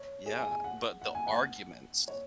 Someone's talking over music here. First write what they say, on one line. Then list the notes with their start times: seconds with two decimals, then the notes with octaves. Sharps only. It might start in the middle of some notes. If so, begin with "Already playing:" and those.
Yeah, but the arguments
Already playing: C#5
0.26 G#4
0.39 G#5
0.51 G#5
0.64 F#5
1.01 F#5
1.15 G#5
1.27 F#5
2.08 C#5